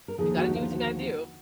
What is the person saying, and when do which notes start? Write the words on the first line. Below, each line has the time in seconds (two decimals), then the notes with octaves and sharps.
You gotta do what you gotta do.
0.08 A#4
0.18 D#2 D3 F3 G#4
0.37 F#4
0.48 D#4
0.55 F4
0.74 F#4